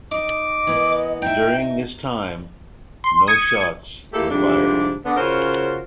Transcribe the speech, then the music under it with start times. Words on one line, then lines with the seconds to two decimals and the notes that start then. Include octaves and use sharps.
During this time, no shots were fired.
0.11 D#4 D#5 D6
0.67 E3 B3 A#4
1.22 D#4 E5 G5
3.04 C6
3.27 D#6 G#6 C#7
4.13 A3 A#3 E4 G4 A4
4.30 F2 G#2 C3 G3 D4
5.04 D3 B3
5.17 C#3 C#4 F4 F#4 A#4 C5